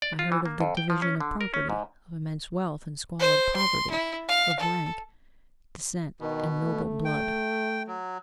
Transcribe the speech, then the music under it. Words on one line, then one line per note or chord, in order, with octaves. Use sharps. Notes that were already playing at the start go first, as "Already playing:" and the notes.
I heard of the division of property, of immense wealth and squalid poverty, of rank, descent, and noble blood.
D5
F4
E3
A#3
F2
G5
F3
C#4
D3
A#4
C#4
G#2
C5
C6
E4
F5
A4
B2 D#3
A3
G5
F#3